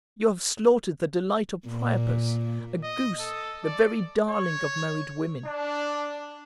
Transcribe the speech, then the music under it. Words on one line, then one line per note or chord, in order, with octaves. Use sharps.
You have slaughtered the delight of Priapus, a goose, the very darling of married women!
A#2
D#5
A4
D5
C#5
D4